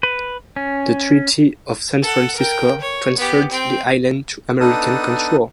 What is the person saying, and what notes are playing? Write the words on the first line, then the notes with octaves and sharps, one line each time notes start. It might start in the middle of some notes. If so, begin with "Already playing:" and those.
The Treaty of San Francisco transferred the island to American control.
B4
C#4
A4 F#5
A#4 G5
C#5
B3 G4
C4 G5
B3 D4 D#4 A4 D#6